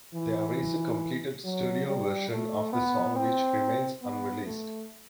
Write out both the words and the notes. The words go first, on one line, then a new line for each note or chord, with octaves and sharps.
There is a completed studio version of the song which remains unreleased.
E3
F#3
G3
A3
B3
C4
B3
A3